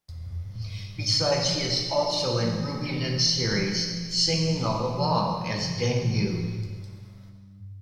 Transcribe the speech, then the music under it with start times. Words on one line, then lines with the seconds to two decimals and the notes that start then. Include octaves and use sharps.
Besides, he is also in Ruby Lin's series "Singing All Along" as Deng Yu.
0.09 E2
0.27 F2
0.44 G2
0.56 A2
0.68 G2
0.96 A2
1.13 C#3
1.30 E3
1.48 F3
2.52 E3
3.55 F3
3.75 F3
3.94 F3
4.14 F3
4.34 F3
4.53 F3
5.00 F3
5.11 E3
5.37 F3
5.62 C#3
5.76 A2
5.89 C#3
6.01 E3
6.15 F3
6.32 G2
6.41 A2
6.66 G2